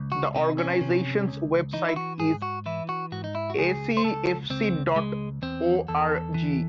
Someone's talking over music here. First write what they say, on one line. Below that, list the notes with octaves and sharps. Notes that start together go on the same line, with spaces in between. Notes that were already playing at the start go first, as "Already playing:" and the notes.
The organization's web site is acfc dot org.
Already playing: C#2
F#4
C3 D#4
C#4
C3
C#2
E3 D#4
E4
F#4
G#2 G#4
F#4
E3 E4
F#4
G#2 F#4
D#4
E4
F#4
C#2 G#4
C5
C#2 A4
C#2 C4
C#2 G#3
E2 C4
E2 A4
E3